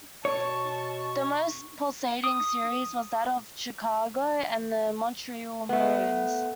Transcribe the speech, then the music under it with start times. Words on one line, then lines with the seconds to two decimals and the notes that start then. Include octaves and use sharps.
The most pulsating series was that of Chicago and the Montreal Maroons.
0.25 B2 C#5 A5 C#6
2.24 D#6
5.69 A3 B3